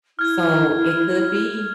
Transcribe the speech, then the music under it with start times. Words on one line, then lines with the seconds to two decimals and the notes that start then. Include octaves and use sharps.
So, it could be,
0.19 E4 F6 G#6